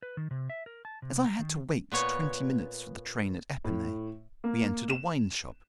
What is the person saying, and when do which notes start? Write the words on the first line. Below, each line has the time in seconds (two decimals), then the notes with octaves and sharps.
As I had to wait twenty minutes for the train at Epinay, we entered a wine shop.
0.03 B4
0.17 D#3
0.31 C3
0.50 E5
0.66 A#4
0.85 A5
1.02 C3
1.26 A#5
1.39 D#3
1.92 A#2 B3 C#5
3.64 A2
4.44 A#3
4.90 E7